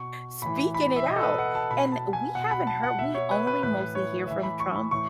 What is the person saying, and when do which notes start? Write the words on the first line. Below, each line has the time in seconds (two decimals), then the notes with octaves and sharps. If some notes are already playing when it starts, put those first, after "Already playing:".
speaking it out. And we haven't heard we only mostly hear from Trump
Already playing: B2 C#6
0.42 A2 E3 B5
0.74 B5
0.96 E5
1.06 B2 D#5
1.16 A4
1.23 B4
1.38 F#5
1.55 A5
1.71 B2 B5
1.92 A5
2.13 G#5
2.35 B2 F#5
2.51 B5
2.67 A5
2.83 F#5
2.99 B2 E5
3.15 C#5
3.31 B4
3.47 B4
3.63 A2 E3 B4
3.95 C#5
4.27 A2 E3 E5
4.43 B5
4.60 C#6
4.76 B5
4.91 A2 E3 C#6